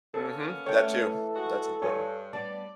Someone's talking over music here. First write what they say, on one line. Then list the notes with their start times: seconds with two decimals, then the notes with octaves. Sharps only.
Mhm. That too. That's important.
0.14 A#3 B3 C#4 A4
0.66 E3 A3 A4 C#5 G5
1.35 G#3 F#4
1.82 G2 C#5 G#5
2.33 G3 B3 D4 D5 A5